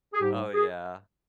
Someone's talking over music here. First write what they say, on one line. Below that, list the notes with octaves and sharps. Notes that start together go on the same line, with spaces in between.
Oh, yeah.
G#4
G#2 G3 G4
G#4